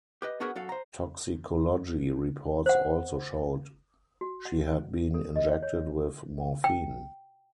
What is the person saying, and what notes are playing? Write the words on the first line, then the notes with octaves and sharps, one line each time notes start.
Toxicology reports also showed she had been injected with morphine.
G4 B4 D#5
B3 D4 F#4 G#4 A#4 B4
F#2 F#4 A4 F5
C5 A#5
C5 F#5
F#4
F#5
A4
D#5
C#5
G5